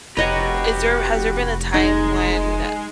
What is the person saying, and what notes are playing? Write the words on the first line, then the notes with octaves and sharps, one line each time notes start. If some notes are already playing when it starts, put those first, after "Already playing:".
is there has there been a time when, uh,
F1 F#4 G4 B4 C#5 D#5 A#5
G#3 D#4 G#4